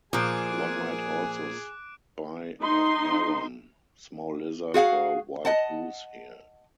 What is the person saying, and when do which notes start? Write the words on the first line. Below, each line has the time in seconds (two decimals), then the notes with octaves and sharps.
One might also spy a heron, small lizard or wild goose here.
0.13 A#2 F3 A#3 G#4 G#5 D6 F#6 D7
2.62 D#4 C6
4.74 F#4 G#4 F5 F#5
5.45 D#5 F#5 A5